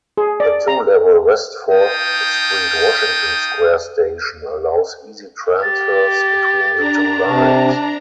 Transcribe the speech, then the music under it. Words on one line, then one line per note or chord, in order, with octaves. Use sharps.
The two-level West Fourth Street-Washington Square station allows easy transfers between the two lines.
G#4
D5
A#5
D#4 F5 G5 A5 D#6
G4 A6
D4 A#5
C3 A5